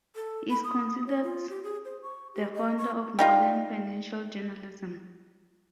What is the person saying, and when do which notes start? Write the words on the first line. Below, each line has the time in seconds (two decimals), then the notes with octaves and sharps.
He is considered the founder of modern financial journalism.
0.16 A4
0.50 B5
0.64 D#6
1.07 C#5
1.23 F4
1.49 G4
1.63 G#4
1.85 C5
2.03 C#6
2.34 G4
2.54 D#5
2.78 C#6
3.19 G3 D#4 F4